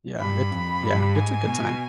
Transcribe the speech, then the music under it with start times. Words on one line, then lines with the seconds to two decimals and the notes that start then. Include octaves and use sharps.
yeah, it yeah, it's a good time.
0.20 G2 B5
0.51 F2
0.83 G2
1.15 G#2 G#5
1.47 B2